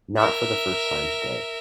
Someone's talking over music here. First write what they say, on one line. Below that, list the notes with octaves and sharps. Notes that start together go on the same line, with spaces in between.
Not for the first time today.
A#4 E5